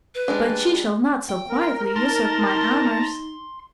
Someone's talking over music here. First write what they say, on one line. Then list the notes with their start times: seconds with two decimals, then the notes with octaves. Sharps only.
But she shall not so quietly usurp my honors.
0.15 B4
0.28 G3 G#3 D4
1.29 G5
1.50 A#4
1.96 D#4 A5 A#5 C6